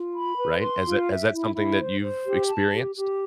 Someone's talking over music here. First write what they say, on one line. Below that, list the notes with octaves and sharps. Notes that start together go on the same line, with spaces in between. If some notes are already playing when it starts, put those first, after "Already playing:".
Right? Is that is that something that you've experienced?
Already playing: F4
B5
B4
C6
F4
E5
E4
E4
C5
C5
G4
A5
G4
G4